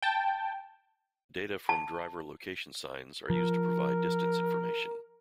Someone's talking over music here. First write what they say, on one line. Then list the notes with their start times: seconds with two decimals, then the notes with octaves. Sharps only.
Data from driver location signs are used to provide distance information.
0.02 G5 A5
1.69 A5
3.30 F3 A#4